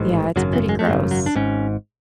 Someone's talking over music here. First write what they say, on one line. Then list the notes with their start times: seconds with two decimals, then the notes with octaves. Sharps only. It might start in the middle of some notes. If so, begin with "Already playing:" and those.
Yeah, it's pretty gross.
Already playing: A1 G#2
0.36 G#1 F#2 C#3 F#3
0.53 E3
0.69 G#3
0.79 A3
0.86 G#1 F#2 C#3 G#3
1.11 F#3
1.26 D4
1.36 G#1 G#2 C#4